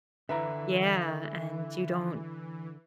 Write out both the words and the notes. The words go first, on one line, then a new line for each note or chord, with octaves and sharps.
Yeah, and you don't
D3 E3 B4 E5 A#5